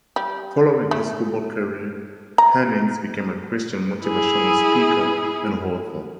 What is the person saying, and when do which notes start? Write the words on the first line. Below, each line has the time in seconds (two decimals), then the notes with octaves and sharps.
Following his football career, Hennings became a Christian motivational speaker and author.
0.16 G3
0.91 A3
2.38 A#5
4.04 E4 G#4